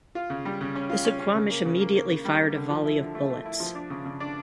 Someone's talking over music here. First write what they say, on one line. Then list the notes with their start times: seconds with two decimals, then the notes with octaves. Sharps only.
The Suquamish immediately fired a volley of bullets.
0.15 F4
0.30 C#3
0.45 G3
0.61 C#3
0.75 C#4
0.90 F4
1.05 C#4
1.20 C#4
1.35 C#3
1.50 A#3
1.65 C#3
1.80 A#3
1.95 A#3
2.10 C#3
2.25 G3
2.40 A#3
2.55 D3
2.70 F3
2.85 E4
3.00 D3
3.15 A3
3.30 A3
3.45 E4
3.60 F3
3.75 D4
3.90 C#3
4.05 C#3
4.20 D4